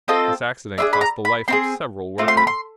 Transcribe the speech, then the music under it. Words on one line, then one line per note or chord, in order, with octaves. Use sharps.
This accident cost the life of several workmen.
C4 F4 A4 D#5
D4 F4 G#4 E5
B5
A#5
B5
C4 E4 G#4 C6
A3 C4 F4
C6
B5
C6